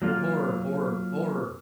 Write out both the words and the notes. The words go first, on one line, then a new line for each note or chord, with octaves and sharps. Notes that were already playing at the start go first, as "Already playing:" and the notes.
Oh, horror, horror, horror!
F#3 A#3 F4